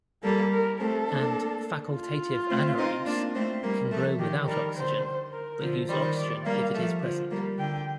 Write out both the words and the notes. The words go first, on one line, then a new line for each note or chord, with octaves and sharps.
And facultative anaerobes can grow without oxygen but use oxygen if it is present.
G3 A#3 A4
A#4
A3 C4 A4
A#3 D4
F4
A3 C4
C4 D#4
A#3 D4
A3 C4
G3 A#3
F3 A3
D#3 G4
D#3 G3 A#4
D3 C5
A#4
D3 F3
D#3 G3 C5
D5
G3 A#3 F5
F3 A3
D3 F3
G3 A#3
D3 G5